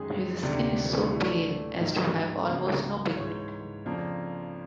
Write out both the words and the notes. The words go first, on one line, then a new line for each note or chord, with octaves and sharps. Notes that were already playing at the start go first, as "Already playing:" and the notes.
His skin is so pale as to have almost no pigment.
Already playing: F#2 D#3 G#3 G#4
D2 C3 D#3 D5
A2 E3 A3 D4
G#2 D#3 F#3 A#3 D#4
C#2 C#3 F#3 A#3
G#2 E3 G#3 C#5
F2 C#3 F3 A#3 D4